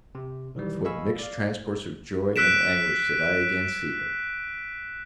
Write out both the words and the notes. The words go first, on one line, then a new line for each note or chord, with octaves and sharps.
With what mixed transports of joy and anguish did I again see her!
C3
B1 D#3 E3 G3
D#5 F5 G#5 B5 C#6 E6
D5 F5
E6 F#6 B6 D7 E7